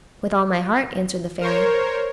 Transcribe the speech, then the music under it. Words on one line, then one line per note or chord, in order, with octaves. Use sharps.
"With all my heart," answered the Fairy.
A#4 C5 C#5